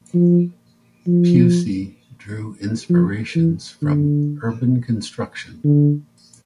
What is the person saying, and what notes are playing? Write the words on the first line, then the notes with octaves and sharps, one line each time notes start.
Pusey drew inspirations from urban construction.
F3
F3
F3
E3
D3
D3